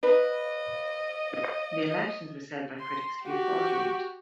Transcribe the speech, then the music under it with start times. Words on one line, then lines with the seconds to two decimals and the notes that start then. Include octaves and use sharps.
The elections were said by critics to be fraudulent.
0.03 B4 D#5
2.80 C6
3.23 F#4 G4